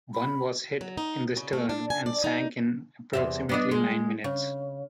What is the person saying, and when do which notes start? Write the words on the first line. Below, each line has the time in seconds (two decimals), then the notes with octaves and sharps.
One was hit in the stern and sank in approximately nine minutes.
0.14 B5
0.81 F#3
0.98 D#4
1.37 C#3
1.53 A3
1.69 D4
1.90 G#5
2.06 D5
2.24 D#4
3.13 E2 C3 E5
3.49 B3 D4 D#5
3.71 G#3
4.24 C#3